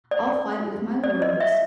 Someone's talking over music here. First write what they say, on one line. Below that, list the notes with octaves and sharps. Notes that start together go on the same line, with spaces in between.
I'll fight with my words,
D5
D5
D#5
E5